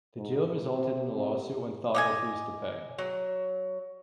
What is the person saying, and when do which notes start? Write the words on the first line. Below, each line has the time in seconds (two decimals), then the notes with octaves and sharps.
The deal resulted in a lawsuit when Thaw refused to pay.
0.17 G#2
0.70 C3
1.13 C3
1.95 D#5 F5 G#5 D6 D#6 G#6
2.98 F#3